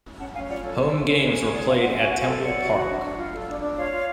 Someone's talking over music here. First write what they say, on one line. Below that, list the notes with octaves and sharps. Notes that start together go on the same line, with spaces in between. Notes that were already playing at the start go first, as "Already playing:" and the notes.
Home games were played at Temple Park.
C#4 F#5 A5
C#4 F5 G#5
F4 D5 F#5
A4 C#5
C#4
D5
C#4
C#4 C#5 F5
C#4
G#4
C#5 D5 F#5
C#4 F5 G#5
C#4 D5 F#5
F#4 G#5
F#4 F#5
F5 G#5
A4
C#5 D5 F#5
F#4
F#4
D4
D4
F4
A4
D4
D4
F4 C#5 F5
F4